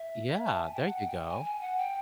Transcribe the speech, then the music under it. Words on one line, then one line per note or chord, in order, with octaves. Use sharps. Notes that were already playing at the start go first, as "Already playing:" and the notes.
Yeah, there you go.
Already playing: E5
A5
G#5
G5
F#5
G5
G#5
G#5
F#5
G5